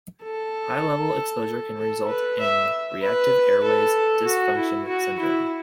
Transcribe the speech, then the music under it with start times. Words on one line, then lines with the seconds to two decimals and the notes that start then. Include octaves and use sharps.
High-level exposure can result in reactive airways dysfunction syndrome.
0.23 A4
1.78 A4
2.08 B4
2.40 E5
3.02 B4
3.64 A4
4.26 F#4
4.57 E4
4.88 F#4
5.19 E4